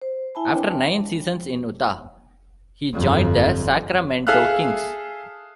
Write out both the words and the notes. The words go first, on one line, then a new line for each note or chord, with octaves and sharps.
After nine seasons in Utah, he joined the Sacramento Kings.
C5
E4 E5 G#5 A5 B5
C4 D4 B4 C#5 G5 B5
G1 F2
G#4 A4 E5 F5 F6 F#6